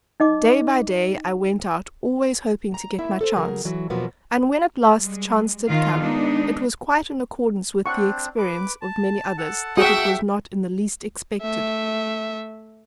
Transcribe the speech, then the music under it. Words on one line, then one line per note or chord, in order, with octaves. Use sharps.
Day by day I went out always hoping to get my chance, and when at last the chance did come it was quite in accordance with the experience of many others that it was not in the least expected.
D#4 D#5 D6
A#5
A#3 E4 E5
A4 C5
C#3 F#3 G#4 A#4
E3 F#3
E2 B2 F3 F#3 A#3 B3
G3 G#3
D#3 F4 F5
G#3 B3 D4 D#4
C4 D4 F#5 C#6
B4 D6
A5
A4 F#5 A5
F#4 G#4 A4 E5 F#5 G5 D#6
A3 E5